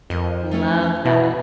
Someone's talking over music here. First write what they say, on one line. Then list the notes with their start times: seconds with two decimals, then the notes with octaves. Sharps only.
Love that.
0.10 F2 A#4 C5 D#5
0.51 F3 A3 C#4
1.05 B2 E3 F5